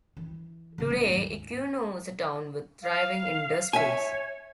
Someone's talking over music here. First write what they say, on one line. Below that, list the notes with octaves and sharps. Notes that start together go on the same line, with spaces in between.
Today, Ikuno is a town with thriving industries.
E3
C#3 F3
F#3 C#4
G#1 D#2
F5
C#5 E5 G#5